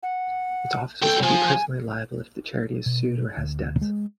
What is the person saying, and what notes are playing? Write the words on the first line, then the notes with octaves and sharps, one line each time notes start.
Its officers can be personally liable if the charity is sued or has debts.
F#5
B1 A4 G5
F3 G#5
B2
D2
G#3